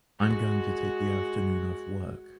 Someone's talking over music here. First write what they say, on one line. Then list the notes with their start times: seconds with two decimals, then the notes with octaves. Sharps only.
I’m going to take the afternoon off work.
0.19 G#3 F#4